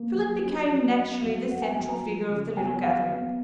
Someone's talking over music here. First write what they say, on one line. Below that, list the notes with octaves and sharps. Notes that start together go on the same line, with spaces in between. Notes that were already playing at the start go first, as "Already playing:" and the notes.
Philip became naturally the central figure of the little gathering.
Already playing: A#3
F#3
C#4
F#3
B3 D#5
F#3 F5
B3 F#5
G#5
F#3 G#5
A#5
F3
C#3
B3 G#5
F#3 F5
B3